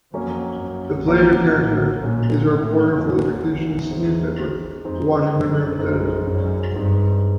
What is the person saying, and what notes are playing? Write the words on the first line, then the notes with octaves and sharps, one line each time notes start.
The player's character is a reporter for the fictitious newspaper "The Washington Representative".
F2 F#3 A#3 C#4
F#2
G#2 F#3 A#3 C#4
A2
A#2 F#3 A#3 C#4
A2
F2 F#3 A#3 C#4
E2
G#3 C4 D#4
F2 G#3 C4 D#4
F#2
F#2 G#3 C4 D#4
F#2
G2 G#3 C4 D#4